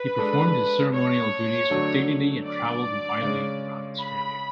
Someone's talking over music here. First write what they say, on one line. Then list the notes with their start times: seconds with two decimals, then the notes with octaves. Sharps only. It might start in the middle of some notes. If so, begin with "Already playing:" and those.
He performed his ceremonial duties with dignity and travelled widely around Australia.
Already playing: B4
0.19 G#3 D4 A4
0.95 C#5
1.70 D3 F#3 A3 D4
2.47 D5
3.22 C#3 G#3 C#4
3.98 B5